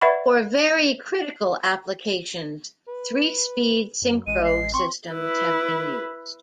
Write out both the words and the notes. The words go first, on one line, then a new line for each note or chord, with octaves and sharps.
For very critical applications, three-speed synchro systems have been used.
B4 D5 E5 F#5 B5 C#6
B4
F#2
A1 G#3 D#7
C7
C4 C6 C#6
E4 B4